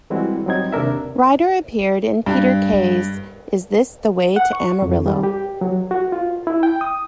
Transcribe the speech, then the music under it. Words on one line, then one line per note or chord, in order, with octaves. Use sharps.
Ryder appeared in Peter Kay's Is This the Way to Amarillo?
E3 G3 G#3 C4 E4 F#4
F#3 G3 C4 D#4 G#6
D#2 C3 D4 A#4 E5
G2
F#5
C#6
F2
G3
G4
F#3
F#4
F4
E4
G5
D#6